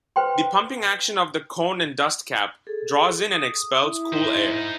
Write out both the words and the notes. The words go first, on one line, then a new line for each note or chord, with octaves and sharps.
The pumping action of the cone and dustcap draws in and expels cool air.
B4 C5 G5 C6
G#4 A4
D#6
E4
D#4 C5